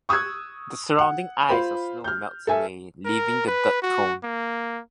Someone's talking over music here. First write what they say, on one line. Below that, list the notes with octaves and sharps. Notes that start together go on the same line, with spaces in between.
The surrounding ice or snow melts away, leaving the dirt cone.
C#6 D#6 E6 F#6 G#6
F#5
F4 C5 B5
F6 G6
A4 E5 G#5
A#4
B4
F#4
A#3